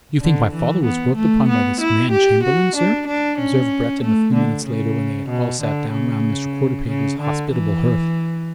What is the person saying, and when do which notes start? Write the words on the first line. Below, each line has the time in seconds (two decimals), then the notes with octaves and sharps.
"You think my father was worked upon by this man Chamberlayne, sir?" observed Breton a few minutes later when they had all sat down round Mr. Quarterpage's hospitable hearth.
0.21 D3
0.52 E3
0.84 B3
1.16 A3
1.48 B3
1.80 E4
2.11 G4
2.43 F#4
2.76 D4
3.07 D4
3.38 C#4
4.02 A3
4.34 D3
4.66 C#3
5.29 B2
5.61 D3
5.92 C#3
6.87 C#3
7.20 D3
7.51 E3